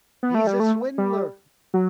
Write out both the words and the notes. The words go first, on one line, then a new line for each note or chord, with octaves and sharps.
"He's a swindler!"
B3
A3
G3
A3
G3
F#3